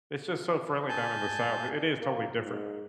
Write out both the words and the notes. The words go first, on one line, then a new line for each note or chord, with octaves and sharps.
it's just so friendly down in the South, i it is totally different.
G#5 A5 G6
A#3
G#2